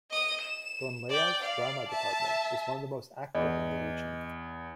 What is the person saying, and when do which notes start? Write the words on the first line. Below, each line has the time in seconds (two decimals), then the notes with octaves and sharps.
Thornlea's Drama Department is one of the most active in the region.
0.11 D#5 D#6
0.41 E7
1.09 D5 G5
1.42 D5 F5
1.88 E5 A5
3.35 E2 D#5